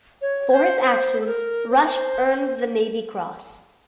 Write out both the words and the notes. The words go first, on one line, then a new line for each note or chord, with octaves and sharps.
For his actions, Rush earned the Navy Cross.
C#5
C5
C5
A4
A#4
C5